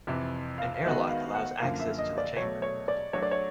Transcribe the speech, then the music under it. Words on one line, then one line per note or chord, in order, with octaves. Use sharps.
An airlock allows access to the chamber.
F2 C3 E3 E5
F5
F5
D#3 G#3 B3 D#4 F#4 E5
F5
F#5
F#2 D3 F3 A#3 F5
E5
D#5
D5
B2 F#3 A3 C#5
C#5
D5
F#3 A3 D4 F#4 C#5
D5
C#5